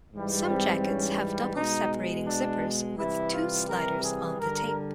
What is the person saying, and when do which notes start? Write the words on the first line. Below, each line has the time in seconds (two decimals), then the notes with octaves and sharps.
Some jackets have double-separating zippers with two sliders on the tape.
0.13 G#2 E3 G3
0.50 C4
0.84 C#4
1.55 B2 G#3 D#4
2.27 D4
2.97 C3 E3 G3 E4
3.33 F4
3.68 A#4
4.04 G#4
4.39 G2 D3 G3 A#4